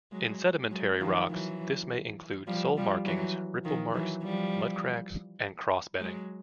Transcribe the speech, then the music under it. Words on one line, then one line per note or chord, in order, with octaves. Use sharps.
In sedimentary rocks this may include sole markings, ripple marks, mudcracks and cross-bedding.
F#3 G#3
F#3 G#3
D#3 F3
E3 F#3
F3 G3
F3 G3
E3 F#3
D#3 F3
E3 F#3
F3 G3
F#3 G#3